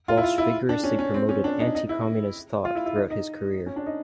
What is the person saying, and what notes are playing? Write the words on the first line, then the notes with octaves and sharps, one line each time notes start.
Walsh vigorously promoted anti-Communist thought throughout his career.
F4
E4
F4
E4
D4
C#4
C#4
C4
C#4
D4
D#4
D#4
E4
F4
E4
E4
D#4
D#4
C#4
D4
D#4